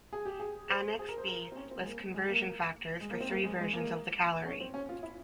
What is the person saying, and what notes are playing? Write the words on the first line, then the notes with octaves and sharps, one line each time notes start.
Annex B lists conversion factors for three versions of the calorie.
G#4
G4
G#4
C5
G#4
A#4
C5
A#4
C4
C#4
C4
G#3
A#3
G#3
A#3
G#3
A#3
C4
A#3
G#3
G#3
A#3
C#4
C4
C#4
F4
E4